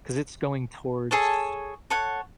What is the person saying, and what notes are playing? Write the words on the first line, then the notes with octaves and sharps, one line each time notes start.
'Cause it's going towards
G#4 A4 C#5 A5
A4 C#5 F#5